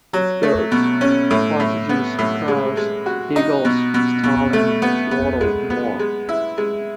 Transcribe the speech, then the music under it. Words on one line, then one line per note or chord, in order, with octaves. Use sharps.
Of birds: partridges, crows, eagles, starling, swallow and more.
F#3
A3
B2
C#4
A2
A2
B3
A2
G#3
G#3
F#4
D#4
B2
B2
B2
A3
B3
B3
G#3
B3
G#3
E4
G#3